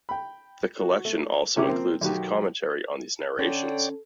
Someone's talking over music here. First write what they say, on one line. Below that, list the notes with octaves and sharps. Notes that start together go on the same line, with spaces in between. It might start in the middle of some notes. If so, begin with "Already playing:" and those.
The collection also includes his commentary on these narrations.
G5 B5
F#4
A3
C3 C#4 E4 G4 D6
F3 A#3 C4
B1 D#3 F#4 G4
D3 C#4 A4 C#5 D5 G5